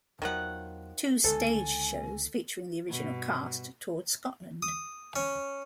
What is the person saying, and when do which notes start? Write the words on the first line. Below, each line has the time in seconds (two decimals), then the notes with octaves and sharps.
Two stage shows, featuring the original cast, toured Scotland.
0.22 E2 D#3 F3 F#3 F#5
1.24 C#2 D3 G#3 A4 G#5
2.89 G2 B2
4.63 D#6
5.16 C#4